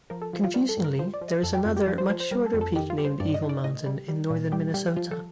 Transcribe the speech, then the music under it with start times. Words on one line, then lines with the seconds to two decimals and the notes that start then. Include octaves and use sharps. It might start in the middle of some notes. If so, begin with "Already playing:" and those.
Confusingly, there is another, much shorter, peak named Eagle Mountain in northern Minnesota.
0.10 F3 A#4
0.22 A4
0.33 F3
0.44 F4
0.54 G3 F4
0.69 A4
0.77 G2
0.84 A#4
0.99 F3 C5
1.14 D5
1.21 F3
1.28 D#5
1.43 F2 A4
1.54 G4
1.65 F2 F4
1.77 G4
1.87 F3 D5
1.98 C5
2.09 F3 C5
2.20 C5
2.31 G3 A#4
2.46 A4
2.53 F2
2.61 A4
2.76 D#3 G4
2.90 F4
2.98 G3
3.05 C5
3.20 G2 D5
3.34 D#5
3.42 D#3
3.49 D5
3.64 A2 D#5
3.86 G3
4.08 G3
4.30 A#2
4.52 G3 G4
4.74 G3 G4
4.96 F3 F4
5.11 A4